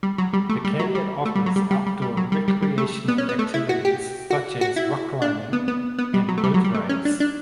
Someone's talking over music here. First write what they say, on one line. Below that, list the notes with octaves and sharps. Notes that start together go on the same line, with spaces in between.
The canyon offers outdoor recreational activities such as rock climbing and boat rides.
G3
F#3
G3
A3
G3
F#3
G3
A3
G3
F#3
G3
G3
G3
G3
F#3
G3
G3
G3
A3
B3
C#4
B3
A3
E4
F#4
G4
F#4
F#4
E4
D4
B3
B3
B3
G3
F#3
A3
G3
F#3
G3
A3
C#4
D4
D4